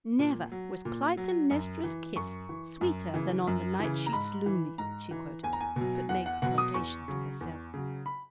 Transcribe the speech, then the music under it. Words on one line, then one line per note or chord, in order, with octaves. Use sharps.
"Never was Clytemnestra's kiss sweeter than on the night she slew me," she quoted, but made the quotation to herself.
A#2
F#3
A#2
F#3
F#2
E3
F#2 C#6
E3
F#2
C#3 E3
F#2
C#3 E3
A#5
G#2 B5
E3
G#2 A#5
E3
E2 G#5
A#5
G#5
B2
F#3
E2 F#5
F#5
B2 F#3 F#5
D#6
E2 C#6
C#3 F#3
E2
C#3 F#3
B5